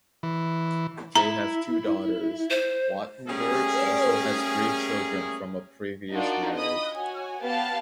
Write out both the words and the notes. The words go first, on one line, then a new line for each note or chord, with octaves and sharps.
They have two daughters; Wattenburg also has three children from a previous marriage.
E3
E4 A#5
C5
G3 A3 A#3 C#4 G#4
D4 D#4 F4 F#4 A#4 D5
D#5 B5 D#6
F#4 C#5 G#5
B3 G4 F5 A5